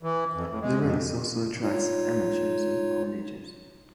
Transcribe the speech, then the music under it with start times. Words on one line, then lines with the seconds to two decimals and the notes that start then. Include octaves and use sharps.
The race also attracts amateurs of all ages.
0.03 E3
0.34 F2
0.49 A2
0.61 G#3
0.82 F2
1.63 D#4 F4 C#5